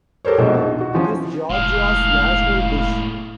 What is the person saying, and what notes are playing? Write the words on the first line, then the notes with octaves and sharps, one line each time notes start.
It is Georgia's national dish.
G4 A4 A#4 C5 C#5
A#1 B2 G#3
D#4
F#4
E3 F3 C#4
F1 A2 G#3 F5